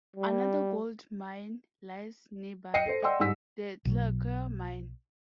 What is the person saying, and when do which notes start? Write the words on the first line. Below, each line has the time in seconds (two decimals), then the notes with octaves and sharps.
Another gold mine lies nearby, the Clogau mine.
0.16 G3
2.74 D#5 G5 A#6 C7 C#7 D#7
2.86 A4 C5
3.02 D5 D#5 F#5 G5 C6 E6
3.20 G#2 G3 E6 B6
3.85 B1 B2 F#3